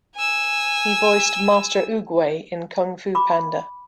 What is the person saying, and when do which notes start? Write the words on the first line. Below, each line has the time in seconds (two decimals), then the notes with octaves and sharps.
He voiced Master Oogway in "Kung Fu Panda".
0.16 G#5 E6
3.15 B5 D6